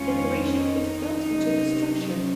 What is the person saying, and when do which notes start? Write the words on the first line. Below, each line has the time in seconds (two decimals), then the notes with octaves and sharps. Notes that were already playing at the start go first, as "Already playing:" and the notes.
Decoration is built into the structure.
Already playing: F2 D#3 G#3 C4 C#4 F4
0.57 D#4
1.28 C3 F#3 C#4
1.99 C#4